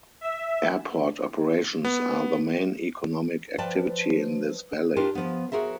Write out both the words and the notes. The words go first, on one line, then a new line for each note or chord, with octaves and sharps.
Airport operations are the main economic activity in this valley.
E5
B3
F3 B4 D5 G5 A5
D4 F4 G4 A#4
F3 B3
F#4 G#4 A#4 C5 E5